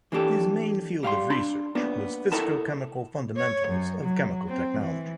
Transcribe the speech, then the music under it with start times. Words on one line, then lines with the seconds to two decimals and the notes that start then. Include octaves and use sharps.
His main field of research was physicochemical fundamentals of chemical technology.
0.12 E3 A#3 D4 G4 A4
1.03 G3 F5 F#5 C6
1.30 D4 B5 C6
1.75 A#3 B3 D4
2.32 E4 A4 A#4 F#5 A5 B5
3.37 C#5
3.68 F#2
4.02 F#3
4.48 C4
4.80 E3